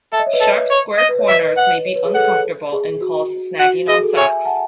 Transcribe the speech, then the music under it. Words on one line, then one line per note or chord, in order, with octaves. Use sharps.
Sharp square corners may be uncomfortable and cause snagging on socks.
A4 E5
D#5
C#5
B4 D#5
A4
C#5
D#5
B4
C#5
B4 D#5 E5
F#5
C#5
B4
G#4
A4 F#5
G#4
F#4
F#4 F#5
G#4 D#5
A4
C#5 E5 G#5
F#5 A5